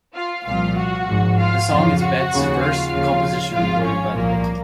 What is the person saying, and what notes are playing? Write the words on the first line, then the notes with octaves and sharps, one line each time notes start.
The song is Betts' first composition recorded by the band.
F4 F5
C2 A#2 F3 F4 F5
F#4 F#5
G#1 G#2 F3
F4 F5
F2 C#3 F3 F4 F5
F#4 F#5
D#2 C#3 F3
F4 F5
D#2 C#3 F3
G#1 G#2 F3 F4 F5
C#4 C#5
C2 A#2 F3 A#3 A#4